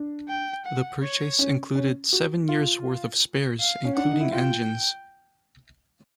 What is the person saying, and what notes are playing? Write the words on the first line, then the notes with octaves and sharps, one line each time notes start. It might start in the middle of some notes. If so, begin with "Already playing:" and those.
The purchase included seven years' worth of spares including engines.
Already playing: D4
G5
F#5
C#5
C#4
C#4
F#4
F4
F5
C#4
D4 F#5
D#4
E4
F4 G5